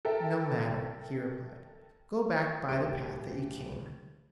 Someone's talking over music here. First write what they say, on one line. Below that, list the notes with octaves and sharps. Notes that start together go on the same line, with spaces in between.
"No matter," he replied, "go back by the path that you came."
A4 A#4 E5 G5
D1 G4 G5 D7